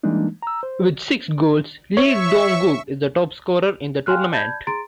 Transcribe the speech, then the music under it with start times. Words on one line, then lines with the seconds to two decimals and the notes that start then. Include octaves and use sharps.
With six goals, Lee Dong-Gook is the top scorer in the tournament.
0.03 E3 G3 G#3 A#3 D4 D#4
0.42 A#5 E6
0.63 C5
1.97 C#5 E5 C#6
4.06 F5 G5 G#5 C6 F6 F#6
4.31 D5 A5 B5 G6 G#6
4.67 G#4 A#5 C6 A6 D7